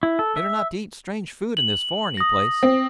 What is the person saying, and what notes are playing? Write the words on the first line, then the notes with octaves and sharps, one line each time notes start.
Better not to eat strange food in this foreigny place.
E4
A4
E5
F#7
D#6 A#6
C4